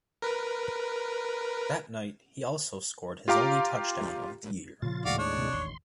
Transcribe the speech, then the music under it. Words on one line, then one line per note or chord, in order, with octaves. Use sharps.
That night he also scored his only touchdown of the year.
A#4 B4
F4 G4 F5 A#5 D6
A#2 C#3 F3 F4 A6
D#2 A2 G#3 F#4 D5 F5
D4 C#5
C3
E1 A1 D#2 C6